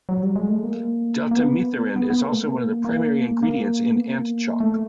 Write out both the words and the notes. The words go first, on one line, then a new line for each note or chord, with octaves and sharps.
Deltamethrin is also one of the primary ingredients in ant chalk.
F#3
G3
G#3
A3
A#3
A#3
B3
B3
B3
A#3
A3
A#3
A#3
A#3
B3
A#3
A3